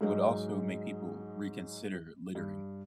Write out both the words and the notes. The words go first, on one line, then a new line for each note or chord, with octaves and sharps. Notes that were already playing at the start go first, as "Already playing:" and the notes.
would also make people reconsider littering
G#2 F#3 G#3 D#4
G2